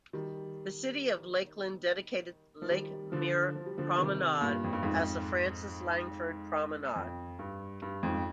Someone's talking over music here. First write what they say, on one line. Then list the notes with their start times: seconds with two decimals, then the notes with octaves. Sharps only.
The City of Lakeland dedicated the Lake Mirror Promenade as the Frances Langford Promenade.
0.13 D#3 G3
2.62 F3
2.70 D#3 G3
3.12 D3 F3
3.55 F3
3.66 G3
3.78 D3 F3
3.98 C3 D#3
4.41 G2 A#2
4.64 F2
4.73 G2
4.83 F2 G#2
6.96 F2
7.39 G2
7.82 G2
8.03 F2 G#2